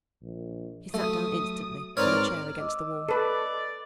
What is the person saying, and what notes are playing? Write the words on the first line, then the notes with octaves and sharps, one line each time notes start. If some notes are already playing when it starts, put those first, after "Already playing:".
He sat down instantly, on a chair against the wall.
A#1
F#3 A3 D#6
G#2 C4 A#4 B4 C#5 D5 F6
D#5 D6 E6
A4 B4 D5